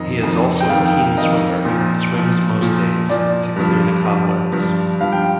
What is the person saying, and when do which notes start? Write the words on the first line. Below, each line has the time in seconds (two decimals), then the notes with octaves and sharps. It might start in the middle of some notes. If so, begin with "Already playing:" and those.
He is also a keen swimmer and swims most days "to clear the cobwebs".
Already playing: F2 D#3 D#5
0.22 F2 D#3
0.60 G5
0.69 F2 D#3 F5
0.85 G5
1.01 F5
1.18 F2 D#3 D#5
1.65 A#2 F3
2.14 A#2 F3
2.61 A#2 F3
3.09 A#2 F3 D5
3.56 G2 F3
4.05 G2 F3
4.52 G2 F3
5.00 G2 F3 F5
5.12 G5